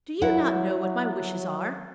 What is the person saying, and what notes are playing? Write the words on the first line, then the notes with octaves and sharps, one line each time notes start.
"Do you not know what my wishes are?"
F#3 E4 F#5